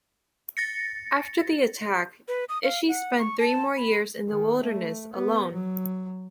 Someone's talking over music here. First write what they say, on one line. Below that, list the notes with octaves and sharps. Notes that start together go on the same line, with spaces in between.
After the attack, Ishi spent three more years in the wilderness, alone.
A6 A#6 C#7
B4
D#6
F5
F#5
C#6
A5
B5
D#3
A3
B3
F#3